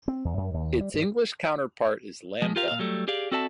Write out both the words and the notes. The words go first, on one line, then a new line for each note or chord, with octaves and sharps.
Its English counterpart is "Lambda".
C4
E2
F#2
D#2
G3
G2
F3 G#3
F4 G4 A#4 F5
A#2 F5
F#3 G3 A3
G4 G#4 D5 F5
C4 F#4 A4 D5 E5 A5